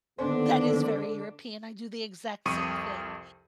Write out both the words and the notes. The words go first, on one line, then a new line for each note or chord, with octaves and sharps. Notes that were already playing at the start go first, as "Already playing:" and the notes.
That is very European, I do the exact same thing.
D3 D#3 A#3 B3 D4 A4 C5
C2 F2 C#6 D#6 D#7